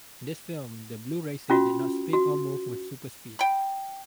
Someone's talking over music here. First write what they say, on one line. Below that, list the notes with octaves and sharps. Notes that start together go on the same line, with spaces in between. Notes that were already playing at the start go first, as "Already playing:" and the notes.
In this film, the Blue Racer did not speak or move with super speed.
C#4 F4 F#4
F#4
G5 B5